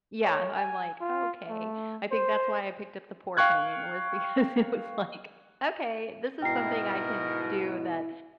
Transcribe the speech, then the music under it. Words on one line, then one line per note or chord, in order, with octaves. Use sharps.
Yeah, I'm like, "Okay." I think that's why I picked up the pour painting was because it was like, "Okay, this is something I can do that
C#5
G#5
F4
A3
C5
F5 G5 C#6 F#6 G#6
G#2 B2 E4 A#4 G5 A#5 C7